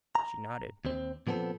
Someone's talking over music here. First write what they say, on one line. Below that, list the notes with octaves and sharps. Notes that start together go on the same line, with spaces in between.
She nodded.
A#5
D#2 C4
A#2 F3 B3 C4 A4